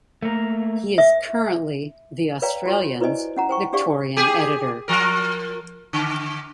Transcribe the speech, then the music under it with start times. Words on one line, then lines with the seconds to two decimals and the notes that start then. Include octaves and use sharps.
He is currently "The Australian's" Victorian editor.
0.23 A3 A#3
0.98 E5
2.42 B4 C#5 D5 F5 G5 A#5
2.66 F4 F#4 C#5
3.00 E4 B4 C5 D5 D#5 G#5
3.36 C#4 F#5 A#5
3.49 C5 G5 C#6
3.73 D4 G4 G#4 D5 F5 C#6
4.17 G4 G#4
4.88 F3 A#4
5.93 D3